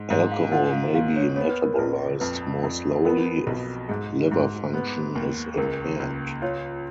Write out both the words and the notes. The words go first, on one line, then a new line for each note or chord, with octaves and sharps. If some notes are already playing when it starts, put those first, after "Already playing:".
Alcohol may be metabolised more slowly if liver function is impaired.
Already playing: G#2
G#2
F5
F4 F#5
F5
D#2 F5
C#5
B3 C#5
B4
A#4
A#1 B4
F2 B4
F2
B3 A#4
B1
G#2 G#4
G#2
B3
D#2
G#4
C#2 A#4
C#2
F4 C#5